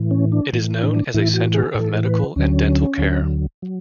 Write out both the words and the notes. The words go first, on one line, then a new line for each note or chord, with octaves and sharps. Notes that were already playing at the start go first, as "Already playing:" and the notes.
It is known as a center of medical and dental care.
Already playing: A2 E3
C#4
D4
A2 E3
D4
A2 E3 E4
F#4
G#4
A2 E3 A4
B4
D2 D3 F#3 C#4
D2 D3 F#3
F#3